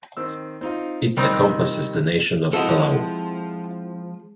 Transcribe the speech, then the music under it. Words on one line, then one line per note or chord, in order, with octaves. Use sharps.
It encompasses the nation of Palau.
D#3 C4 E6
C4 D#4 F4
C3 D#3 G3 C4 D#4
F3 G#3 C4 E4 F#4 A4